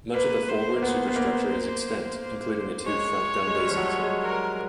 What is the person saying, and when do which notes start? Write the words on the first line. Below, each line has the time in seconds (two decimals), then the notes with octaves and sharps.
Much of the forward superstructure is extant, including the two front gun bases.
0.14 A#3 B4
0.48 C5
0.77 A#3
0.82 B3 C5
1.08 B3
1.16 A#3
2.86 G#3 C#5
3.48 G#3
3.55 G3
3.71 F3
3.77 F#3
3.99 G#3
4.22 A#4